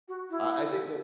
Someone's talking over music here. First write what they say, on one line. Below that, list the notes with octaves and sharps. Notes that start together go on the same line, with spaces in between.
I I think, onc
F#4
E4